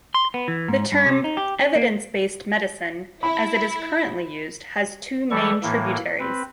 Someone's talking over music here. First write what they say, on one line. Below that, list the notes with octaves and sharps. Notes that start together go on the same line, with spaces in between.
The term "evidence-based medicine", as it is currently used, has two main tributaries.
C6
B3
E3
G#2
G2
C3
D#4
G4
C#4
A#3
E4 B5
E3 G3 A4 C#6
A2 E3 A#3
C4 B4